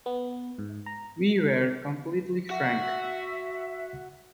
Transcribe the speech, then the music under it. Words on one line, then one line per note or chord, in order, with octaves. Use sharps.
We were completely frank.
B3
G#2
A#5
F#4 E5 F#5